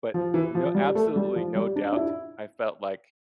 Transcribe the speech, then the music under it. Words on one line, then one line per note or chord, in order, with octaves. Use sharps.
But no absolutely no doubt I felt like
F3
E3
F3
G3
A3
G3
F3
G3
D4
D4
E4